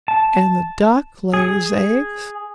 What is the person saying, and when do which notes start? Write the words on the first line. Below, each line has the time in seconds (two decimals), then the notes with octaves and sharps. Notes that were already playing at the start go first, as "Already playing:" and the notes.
And the Duck lays eggs.
0.08 A5
1.34 G#4